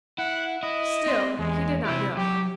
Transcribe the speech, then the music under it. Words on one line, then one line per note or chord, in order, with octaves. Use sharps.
Still he did not know.
E4 F#5
E4 D#5
C4 C6
E2 G#3
C3 E4 G4
F#3 G4